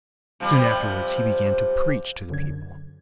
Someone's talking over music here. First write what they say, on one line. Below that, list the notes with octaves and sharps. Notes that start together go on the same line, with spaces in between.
Soon afterwards he began to preach to the people.
C3 F3 G3
F#2 D3 G#6